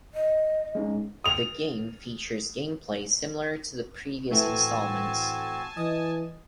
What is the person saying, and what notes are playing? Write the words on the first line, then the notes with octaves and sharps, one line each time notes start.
The game features game play similar to the previous installments.
D#5
G#3 C#4 D#4
D#6 F7
A2 E3 A3 C4 F#4 G#5 A5
E3 D#5 D#6